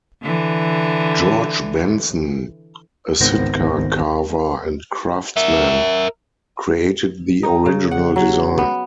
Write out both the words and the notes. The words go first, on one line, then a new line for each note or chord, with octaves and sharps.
George Benson, a Sitka carver and craftsman, created the original design.
D3 E3
G#1 C#2 D#3 B3 C5 A#6
A#4 E5
D#4
C#3
F#5
F#3
B3